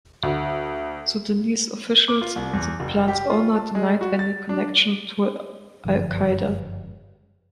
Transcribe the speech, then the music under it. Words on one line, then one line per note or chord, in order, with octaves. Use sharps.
Sudanese officials and the plant's owner denied any connection to Al Qaeda.
D2
D6
F4
C2
E2
F#1
G4
F4
A5
G#3
F#4
A6
D4
F#1 G2 D3 F3